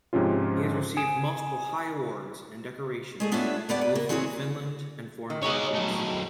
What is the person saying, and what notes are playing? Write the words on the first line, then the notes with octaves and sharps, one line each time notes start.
He has received multiple high awards and decorations both from Finland and foreign countries.
G#2 C3 F3 C#4 F4
G#5 D#6 D7 E7
G#3 A3 G#4
B3 D4 F4 G4 C#5 E5
D2 C3 B3 G4 D5 F#5
B4
A#3
E3 C4 F#4 G#4 B4 C#5
D#3
B2 G#3 D#4 C#5 D#5
F#3 A3